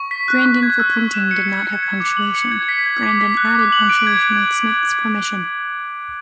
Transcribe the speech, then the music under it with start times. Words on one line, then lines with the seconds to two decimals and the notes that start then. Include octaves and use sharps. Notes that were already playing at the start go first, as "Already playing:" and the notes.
Grandin for printing did not have punctuation; Grandin added punctuation with Smith's permission.
Already playing: C#6
0.11 B6
0.28 F#6
0.46 C#6
0.63 G#6
0.80 E6
0.97 C#6
1.14 E7
1.31 C#7
1.48 G#6
1.66 C#7
1.83 G#6
2.00 D6
2.17 F#7
2.35 C#7
2.51 G#6
2.68 B6
2.86 G#6
3.03 D6
3.20 B6
3.37 F#6
3.55 D6
3.72 F#7
3.89 D7
4.07 G#6